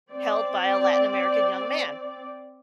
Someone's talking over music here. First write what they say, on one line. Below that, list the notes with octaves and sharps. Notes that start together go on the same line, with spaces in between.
held by a Latin American young man.
C4 D5